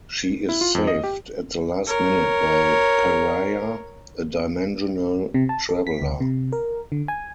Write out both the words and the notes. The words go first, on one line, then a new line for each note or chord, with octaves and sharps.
She is saved at the last minute by Pariah, a dimensional traveler.
E4
F4
F2
D#5
G4
A#4 C#5
C3
A5
A4
B6
D2
C3
A#4
D3
G#5